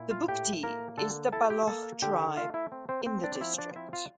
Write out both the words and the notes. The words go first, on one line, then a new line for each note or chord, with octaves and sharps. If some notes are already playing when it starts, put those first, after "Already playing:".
The Bugti is the Baloch tribe in the district.
Already playing: A#2 E4
F4 F5
A2 G4 G5
A#3 A#4 A#5
D3 A4 A5
E4 A4 A5
G4 G5
A#3 A4 A5
D3 G4 G5
A3 F4 F5
E4 E5
C4
C4 C5
C4 C5
D4 D5
D5
F3 E4 E5
D4 D5
C4 E4 E5
F4 F5